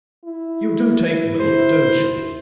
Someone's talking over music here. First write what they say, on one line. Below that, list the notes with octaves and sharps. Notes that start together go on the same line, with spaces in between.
You do take milk, don't you?
E4
C5